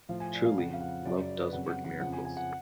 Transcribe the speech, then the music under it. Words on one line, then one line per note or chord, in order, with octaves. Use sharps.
Truly, love does work miracles.
A2 F3 F5
G#5
D5
F5
F2 C#3 F3 F#5
F5
F#5
F#2 C#3 F#3 D5
D5
B4
F2 C#3 F#3 F#5
F#5
F#5
F2 C#3 F3 F#5
G#5
G#5
F#5